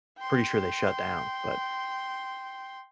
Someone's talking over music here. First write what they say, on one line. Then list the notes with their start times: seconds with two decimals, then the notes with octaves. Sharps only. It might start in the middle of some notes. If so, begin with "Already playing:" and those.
pretty sure they shut down, but,
0.18 G5 C6